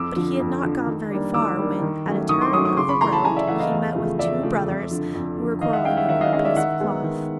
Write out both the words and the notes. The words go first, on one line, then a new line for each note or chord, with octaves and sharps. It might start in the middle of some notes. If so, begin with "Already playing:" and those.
But he had not gone very far when, at a turn of the road, he met with two brothers, who were quarrelling over a piece of cloth.
Already playing: F2 D6 E6
D3 F3
F2
D3 F3
D#3
G3 A#3 D4
D#3 D6 E6
G3 A#3 D4
D#3
F#3 A3 C#4
D#3 C#6 D#6
C6 D6
F#3 A3 C#4 C#6 D#6
C#6 D#6
C#3 C6 D6
B5 C#6
E3 A3 A#5 C6
A5 B5
C#3 G#5 A#5
D5 E5
E3 A3 E5 F#5
D#5 F5
E2
C#3 F3 A3
E2 D5 E5
C#3 F3 A3
F2
D3 F3
F2
D3 F3
D#3 D#5 F5
E5 F#5
G#3 C#4 F5 G5
E5 F#5
D#3 E5 F#5
D#5 F5
G#3 C#4 D#5 F5
D5 E5
D#3 E5 F#5
G#3 B3
D#3